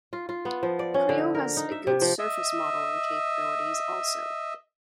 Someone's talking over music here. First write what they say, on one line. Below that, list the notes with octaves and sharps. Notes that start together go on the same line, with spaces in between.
Creo has a good surface modeling capabilities also.
F4
F4
B3
F3
D5
C#4
D3
A#4
D#4
E5
C3
F3
D#5 E5